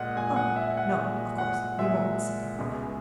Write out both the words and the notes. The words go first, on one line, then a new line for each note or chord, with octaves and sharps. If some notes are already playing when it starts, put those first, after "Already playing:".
'Oh, no, of course we won't!' said everyone.
Already playing: A#2 G#3 D#5 F#5
A#2 G#3 G#5
F#5
E5
F#5
A#2 G#3
F#5
A#2 G#3 E5
C#2 B2 G#3